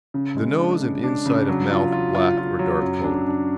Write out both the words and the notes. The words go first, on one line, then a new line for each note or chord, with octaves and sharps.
The nose and inside of mouth black or dark coloured.
C#3
G#3
D4
C#3
D4
C#3
F#3
F4
F4
F4
F4
F#3
F#2
D4
D4